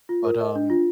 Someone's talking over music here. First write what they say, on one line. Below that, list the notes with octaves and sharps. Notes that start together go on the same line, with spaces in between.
But, um,
F4
A#4
D#5
D4
F4